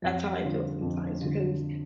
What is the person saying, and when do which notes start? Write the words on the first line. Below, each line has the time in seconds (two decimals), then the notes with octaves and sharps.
that's how I feel sometimes because
0.02 F2
0.42 D3 G3 F4
0.81 F2
1.21 D3 G3 F4